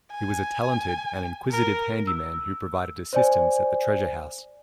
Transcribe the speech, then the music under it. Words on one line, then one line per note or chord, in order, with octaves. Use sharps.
He was a talented and inquisitive handyman who provided assistance at the Treasure House.
G#5
A#4
E6
C5 D5 G#5